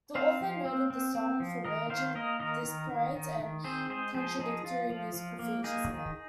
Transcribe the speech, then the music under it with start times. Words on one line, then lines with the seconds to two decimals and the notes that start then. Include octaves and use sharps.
The author noted the song for merging disparate and contradictory musical features in it.
0.15 C4 C5 F5
0.41 F3
0.65 C4
0.90 C4
1.15 C4
1.40 F3
1.65 D#3 A#4 D#5
1.89 D#3 C5 F5
2.15 A#3 A#4 D#5
2.40 D#3 A#4 D#5
2.65 D#3
2.90 D#3
3.15 D#3
3.40 D#3
3.64 C4 G#4 C5
3.90 G#3 G#4 C5
4.14 F3 G#4 C5
4.39 F3 D#4 G#4
4.64 F3 F4
4.90 F3
5.14 F3
5.39 A#3
5.64 A#3 D#4 G#4
5.89 D#3